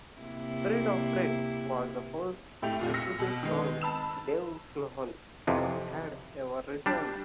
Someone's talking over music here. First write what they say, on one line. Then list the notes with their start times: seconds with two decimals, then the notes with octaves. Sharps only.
"Friend of a Friend" was the first acoustic song Dave Grohl had ever written.
0.19 C3 A#3 E4
2.62 A2 A3 G4 F7
2.79 F1 A#2 F4
2.94 E6 F6 A#6 B6 C#7
3.19 B2
3.43 D#3 G#3 B3
3.81 A5 B5 E6 E7
5.47 F2 C3 E3
6.86 G3 D4